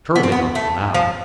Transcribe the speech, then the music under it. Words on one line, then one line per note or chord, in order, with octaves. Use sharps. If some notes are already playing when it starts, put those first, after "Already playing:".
Surely not the latter!
B3
C4
B3
A3
F3